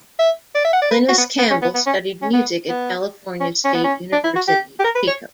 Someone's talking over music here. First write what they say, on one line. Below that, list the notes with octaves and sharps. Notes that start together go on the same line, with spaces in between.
Glynnis Campbell studied music at California State University, Chico.
E5
D5
E5
F#5
D5
B4
F#4
B3
B3
C#4
B3
B3
C#4
C#4
B3
B3
C#4
C#4
B3
C#4
D4
E4
F#4
G4
G4
A#4
B4
C#5